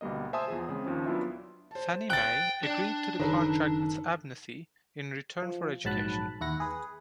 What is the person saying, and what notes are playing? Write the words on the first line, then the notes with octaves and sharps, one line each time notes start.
Fannie Mae agreed to the contract with Abnethe in return for education.
D2 B2 G3 A#3 D#5
C5 E5 G#5 A5 C6 D#6
E2 F3 G#4
C#3 G#3 C4
D#2 F3 C#4
F#3 B3 D4 E4 F4 E5
C5 A5
G5 F#6 A6
D4 D5 G5
F#1 D#3 A4 B4 A#5
F3
A#1 G#2 F#3 A5 B5 F#6
D#2 E4 F#5 A#6
G#4 B4